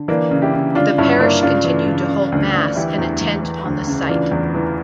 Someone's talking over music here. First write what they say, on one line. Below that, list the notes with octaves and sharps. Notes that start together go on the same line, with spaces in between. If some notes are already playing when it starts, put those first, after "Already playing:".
The parish continued to hold Mass in a tent on the site.
Already playing: D3
E3 A#3 D4
C#3
E4 G4
C#3
D3 D4 F4
G2 C#4 E4
C#4
G2 A#3 D4
C#3 D4 F4
E3
C#3
C#3
D2
D2
E3 E4 G4
E2
E2
E3
D2
C#3
E3 D4 F4
E2
E3